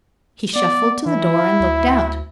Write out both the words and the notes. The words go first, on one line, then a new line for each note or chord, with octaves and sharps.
He shuffled to the door and looked out.
B3 D5
E3 E4
D2